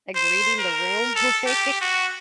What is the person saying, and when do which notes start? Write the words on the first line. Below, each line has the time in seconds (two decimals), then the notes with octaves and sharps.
like, reading the room, like,
0.15 C5
0.59 A#4
1.16 A4
1.46 G4
1.81 F#4